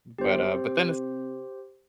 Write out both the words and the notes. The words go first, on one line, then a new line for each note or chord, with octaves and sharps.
M but uh, but then it's
G1 G4 C5
C3